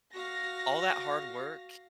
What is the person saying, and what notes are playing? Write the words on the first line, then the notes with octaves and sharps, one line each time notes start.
all that hard work,
F#4 F5 A#6